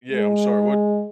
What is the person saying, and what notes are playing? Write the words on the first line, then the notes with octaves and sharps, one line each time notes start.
Yeah, I'm sorry, what?
G#3